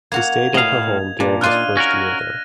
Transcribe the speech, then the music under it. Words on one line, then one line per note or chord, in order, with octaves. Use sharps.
He stayed in her home during his first year there.
A#3 F#4 A#4 G#6 F7
A2 D#5 F5 A#5
A#2 D4
D#4 F4 D5 F6 F#6 D#7
C#4 F#4 A#4 A#6